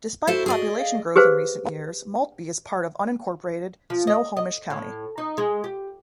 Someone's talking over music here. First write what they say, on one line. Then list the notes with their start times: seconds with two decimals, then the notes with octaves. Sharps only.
Despite population growth in recent years, Maltby is part of unincorporated Snohomish County.
0.27 E4 F#4 A4 C5
0.46 G#4 D5 D#5
0.79 F5
1.16 G4 G#4 B4 C5 F5
3.90 F3
4.07 D#5
4.37 D#5
4.70 A2
5.18 D#4
5.38 G#3
5.64 G4